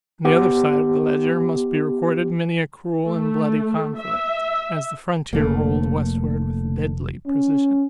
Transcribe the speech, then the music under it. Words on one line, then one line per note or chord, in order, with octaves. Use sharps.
On the other side of the ledger must be recorded many a cruel and bloody conflict as the frontier rolled westward with deadly precision.
B3 G4
A3
E5
F1 A3 A#3
C#4